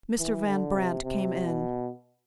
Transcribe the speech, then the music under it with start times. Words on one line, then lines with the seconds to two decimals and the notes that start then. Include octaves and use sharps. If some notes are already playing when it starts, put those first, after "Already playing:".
Mr. Van Brandt came in.
0.19 E3
0.47 D3
0.75 C3
1.04 C3
1.45 B2